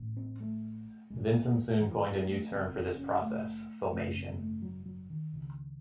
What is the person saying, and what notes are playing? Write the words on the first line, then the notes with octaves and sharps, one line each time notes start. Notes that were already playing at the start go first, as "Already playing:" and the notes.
Vinton soon coined a new term for this process, "Foamation".
Already playing: A1 A2
C4
A3
C#2 C3 G#3
E3
G#3
A3
F#1 F#2 C#3 C4
C4
C#4
A3
G#1 F#2 C#3 A3
C4
A3
F#3
F#3
D#3
C#2 C#3